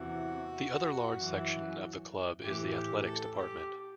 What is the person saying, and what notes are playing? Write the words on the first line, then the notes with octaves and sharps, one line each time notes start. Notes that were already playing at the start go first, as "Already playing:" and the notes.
The other large section of the club is the athletics department.
Already playing: E2 C3 E3 F#4
F#2 E3
A2 E3 G4
G4
A4
G4